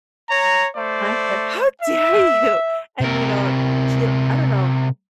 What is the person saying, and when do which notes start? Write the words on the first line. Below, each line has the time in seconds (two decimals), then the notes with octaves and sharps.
I said, “How dare you? “And, you know, she I don't know,
0.30 C#5 A#5
0.76 A3 C5 D5
1.81 E5
3.01 C3 A#4